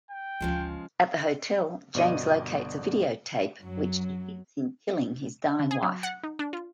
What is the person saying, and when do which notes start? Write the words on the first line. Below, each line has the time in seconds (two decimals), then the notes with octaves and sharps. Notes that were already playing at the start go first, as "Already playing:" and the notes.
At the hotel, James locates a videotape which depicts him killing his dying wife.
0.11 G5
0.40 G1 D2 C#3 F3 G#3
1.94 G1 B2 D5 D#5 D#7
3.60 F#2 F#3
5.59 D3
5.71 G#4
5.83 F#3
6.03 F#5
6.23 D#4
6.39 D4
6.53 F4